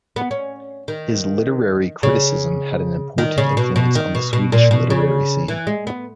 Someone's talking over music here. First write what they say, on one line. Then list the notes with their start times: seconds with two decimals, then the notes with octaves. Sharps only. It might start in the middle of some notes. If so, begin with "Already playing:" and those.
His literary criticism had an important influence on the Swedish literary scene.
0.16 B3
0.31 C#4
0.88 D#3
2.03 C#3
3.18 D#3
3.38 C#3
3.57 B2
3.76 B2
3.95 D#3
4.15 B2
4.33 B2
4.52 A#2
4.71 B2
4.90 C#3
5.48 E3
5.67 G#3
5.87 B3